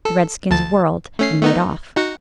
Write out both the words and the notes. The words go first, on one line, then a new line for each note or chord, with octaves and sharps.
The redskins whirled and made off.
A4
D2 A5 A6
A3 C#4 C7
A3 B3 D#4
D#4 F#4 F#5